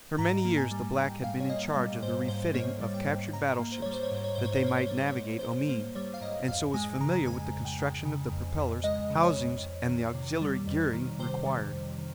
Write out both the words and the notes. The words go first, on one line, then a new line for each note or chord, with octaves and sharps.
For many years the black had been in charge of the refitting of captured battleships that they might navigate Omean, and so was familiar with the construction of the propellers, housings, and the auxiliary gearing required.
G#2 A#5
A#3
G#5
G3
G#2 G5
G#2 F5
C#5
A#3 D#5
G3
G#2 C5
G#2 C5
A#3 C#5
G3
G5
G#2
G#2 A#5
A#3
C5
G3 C#5
C5
C#5
G#2 C5
C#5
G#2 C5
C#5
C5
A#3 C#5
C5
G3 C#5
C5
C#5
G#2 C5
C#5
G#2 C5
A#3 C5
G3 C#5
F5
G#2 D#5
F2 F5
G#3 G#5
C#3 A#5
F2 G#5
F2
G5
G#3
C#3
F2
F2
G#3 D#5
C#3
C#5
F2
F2
D#3
C3
G3
F2
D#3
C3 C5
G3
F2
D#3